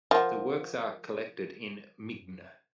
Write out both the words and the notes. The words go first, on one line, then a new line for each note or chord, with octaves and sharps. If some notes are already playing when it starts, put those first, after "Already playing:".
The works are collected in Migne.
F3 A#4 F#5 C6